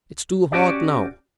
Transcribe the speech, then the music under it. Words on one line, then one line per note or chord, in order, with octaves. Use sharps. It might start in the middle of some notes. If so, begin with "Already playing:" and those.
It's too hot now.
C#4 F#4 G4 D5